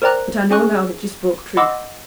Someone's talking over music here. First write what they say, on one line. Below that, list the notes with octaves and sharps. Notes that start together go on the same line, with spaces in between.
But I know now that you spoke truth.
A#4 C5 D5 G5 A#5 F#6
C#4 G#4 G#5 C#6 F#6
D#5 F#5 B5 C6 D6 E6